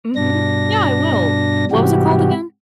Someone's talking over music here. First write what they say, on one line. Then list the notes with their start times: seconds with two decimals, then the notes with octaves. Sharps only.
Mhm. Yeah, I will. What was it called again?
0.16 G2 B2 D4 A#6
1.71 G#2 C3 E3 G3 F#4 G4